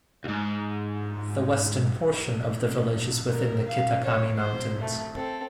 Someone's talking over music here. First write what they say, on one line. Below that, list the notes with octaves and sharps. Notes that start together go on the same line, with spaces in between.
The western portion of the village is within the Kitakami Mountains.
D2 G#2
A#4
F5
C#5
C5
A3
C4 A4